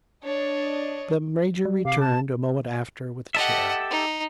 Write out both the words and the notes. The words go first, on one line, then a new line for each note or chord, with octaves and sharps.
The Major returned a moment after with a chair.
D4 C#5 D#5
G3
C3 F5 D6
A5
G4 A4 D#5 E5 F#5
D#4